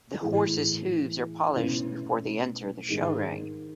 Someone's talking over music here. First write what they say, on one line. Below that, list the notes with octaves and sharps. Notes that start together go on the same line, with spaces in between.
The horses' hooves are polished before they enter the show ring.
A2 E3 A3 E4 G#4
B2 A3 C#4 E4 B4
G#2 D#3 G#3 D#4